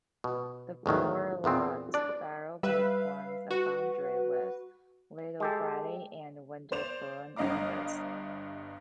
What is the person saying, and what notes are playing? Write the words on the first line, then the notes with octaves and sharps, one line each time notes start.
The Poor Lot barrow group forms a boundary with Littlebredy and Winterbourne Abbas.
B2
E2 A2 D#3 F#3
E2 A#2 B3 C4
D4 D5
G3 B4 E5 F5
F#4 B4
G#3 G4 A4
C5 D5 E7 F7
G1 G2 D#5 F5 A#5 D6